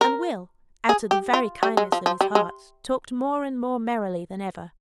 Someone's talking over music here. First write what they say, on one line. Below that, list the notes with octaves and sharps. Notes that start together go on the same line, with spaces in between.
And Will, out of the very kindness of his heart, talked more and more merrily than ever.
A#4
G#4
G4
F4
G3
G#3
F3
F3
G3
G#3